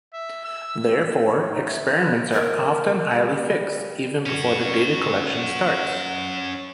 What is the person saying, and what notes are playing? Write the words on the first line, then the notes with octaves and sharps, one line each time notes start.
Therefore, experiments are often highly fixed even before the data collection starts.
E5
E6
C#5
D#4
E5
B4
A#4
G3
C#4 F#4